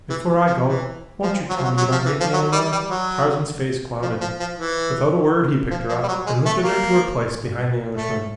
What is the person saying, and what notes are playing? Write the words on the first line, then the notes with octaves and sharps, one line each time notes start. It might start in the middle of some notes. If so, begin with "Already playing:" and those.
"Before I go won't you tell me you don't hate me any more?" Tarzan's face clouded. Without a word he picked her up and lifted her to her place behind the Englishman.
E3
F3
E3
F3
F#3
F3
F#3
F#3
F3
E3
F3
F#3
G3
G3
F#3
F3
F3
F3
E3
F3
F3
G3
F#3
G#3
A3
A#3
A3